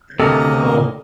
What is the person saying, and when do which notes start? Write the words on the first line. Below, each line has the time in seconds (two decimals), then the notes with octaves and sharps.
I I know.
0.20 D2 C3 A#3 A4 A#4 D#5